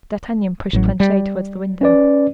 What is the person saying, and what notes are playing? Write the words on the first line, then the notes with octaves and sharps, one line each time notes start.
D'Artagnan pushed Planchet towards the window.
A1 F#3
G3
C#4 B4 D5